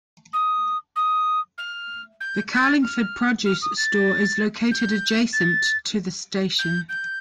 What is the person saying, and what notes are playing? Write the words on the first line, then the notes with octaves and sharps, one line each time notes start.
The Carlingford Produce Store is located adjacent to the station.
D#6
D#6
F6
G6
B6
A6
F6
F6
D#6
A6
G6
A6
G6
G6